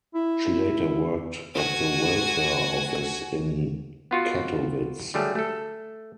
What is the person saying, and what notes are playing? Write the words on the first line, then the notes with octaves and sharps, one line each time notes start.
She later worked at the welfare office in Kattowitz.
E4
F#4 G#5
B3 F4 F#4
D3 F#3 G3 A3 G#4
A3 A4